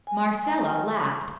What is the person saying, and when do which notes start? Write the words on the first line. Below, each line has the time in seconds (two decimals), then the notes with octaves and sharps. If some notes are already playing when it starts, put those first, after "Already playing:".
Marcella laughed.
0.07 G#5